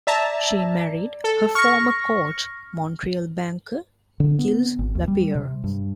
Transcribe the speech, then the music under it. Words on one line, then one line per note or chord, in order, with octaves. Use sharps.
She married her former coach, Montreal banker Gilles Lapierre.
D5 E5 A5 A#5
A4
C#6 F6 A#6
D3
B3
G#1
D#2
G3
C3
G2